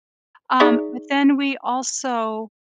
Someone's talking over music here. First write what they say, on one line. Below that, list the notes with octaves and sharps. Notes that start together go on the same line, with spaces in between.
um, but then we also,
D#4 G#4 D5 E5 C#6